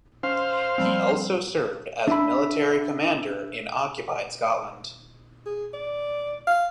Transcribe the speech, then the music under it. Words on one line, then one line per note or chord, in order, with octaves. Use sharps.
He also served as military commander in occupied Scotland.
C#4 C5 F5
F3 G3 C4
D4 E5 B5
G#4
D5
F5